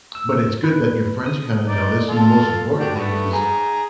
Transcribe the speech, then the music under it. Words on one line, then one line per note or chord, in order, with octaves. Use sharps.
But it's good that your friends kinda noticed, and the most important thing is
E6
B4
D#6
D#4 D5
F4 A4
D4 F#4 G4
A3 B3
G#4 A#5